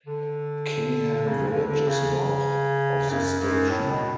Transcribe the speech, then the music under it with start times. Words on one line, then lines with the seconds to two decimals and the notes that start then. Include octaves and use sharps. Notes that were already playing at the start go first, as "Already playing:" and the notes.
Kingham village is north of the station.
0.06 D3
1.27 C#3
1.47 D3
1.67 D3
1.88 C#3
3.09 F#2
3.39 F#2
3.70 A2
3.90 B2